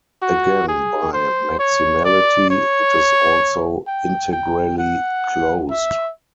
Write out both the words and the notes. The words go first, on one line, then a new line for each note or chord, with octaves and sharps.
Again by maximality it is also integrally closed.
F#4
G#4
C5
C#5
D5
C#5
G5
G5
F#5
E5